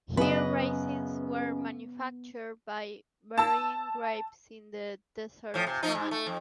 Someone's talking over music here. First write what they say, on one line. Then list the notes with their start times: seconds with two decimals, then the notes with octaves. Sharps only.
Here, raisins were manufactured by burying grapes in the desert sun.
0.17 F#2 C#3 B3 B4 D#5
3.38 A5 E6
5.54 A2 F3
5.67 C3
5.83 F3 D#4
5.95 G#2
6.11 A3
6.27 F2